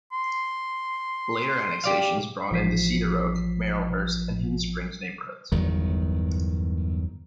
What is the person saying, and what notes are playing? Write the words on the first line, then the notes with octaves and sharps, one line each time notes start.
Later annexations brought in the Cedaroak, Marylhurst and Hidden Springs neighborhoods.
C6
G4 D5 F5
A1 F3 B6 C7
G1 E2 D#3 F#3